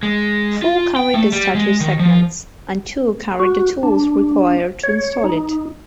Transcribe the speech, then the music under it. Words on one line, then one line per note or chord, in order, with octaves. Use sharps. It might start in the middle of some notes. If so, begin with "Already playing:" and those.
Four carried the statue segments, and two carried the tools required to install it.
G#3
F4
G5
A3
G3
G#3
D#3
F3
F#4
D4
C#5
D#4